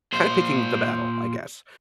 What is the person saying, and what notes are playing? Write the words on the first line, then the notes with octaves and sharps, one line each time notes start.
kinda picking the battle, I guess.
A#2 C5